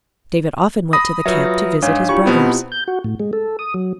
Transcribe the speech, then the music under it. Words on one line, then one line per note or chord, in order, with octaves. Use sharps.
David often went to the camp to visit his brothers.
B5 D#6 A#6
F#3 F4 B4 E5
G#2 D4 C#5 F5
E4 F4 G4 C#6
B2 B3 C4
G6
F#4
A2
G#3
A4
D#6
F#3